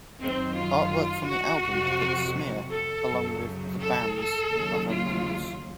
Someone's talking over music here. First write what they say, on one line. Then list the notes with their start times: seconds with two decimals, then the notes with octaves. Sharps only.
Artwork from the album depicts Smear along with the band's other members.
0.21 F#2 D#3 F#3 C4
0.58 F4
1.29 F#4
1.65 F2 C3 F#3
2.73 A4
3.09 F#2 C#3 F#3
3.81 A4
4.17 A4
4.52 D#2 C#3 F#3
4.90 F4